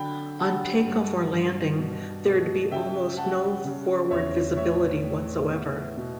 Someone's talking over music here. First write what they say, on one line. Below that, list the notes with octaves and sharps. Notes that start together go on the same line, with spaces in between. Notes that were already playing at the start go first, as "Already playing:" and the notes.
On takeoff or landing, there'd be almost no forward visibility whatsoever.
Already playing: D3 F#3 G5 B5
G3 F#5 A5
G2
G2
B2
B2
C#3 E5 G5
G3 F#5 A5
C#3
E2 C#5 E5
A2 C#5 E5
A2
B3
B2